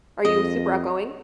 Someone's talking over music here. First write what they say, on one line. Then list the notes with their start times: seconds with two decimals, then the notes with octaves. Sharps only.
Are you super outgoing?
0.25 F2 D#5